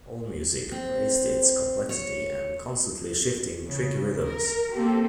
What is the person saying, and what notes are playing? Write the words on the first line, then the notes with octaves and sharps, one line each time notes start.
Allmusic praised its complexity and "constantly shifting, tricky rhythms".
C4
C#5
C#3
A#4
A#3 C4 G4 A4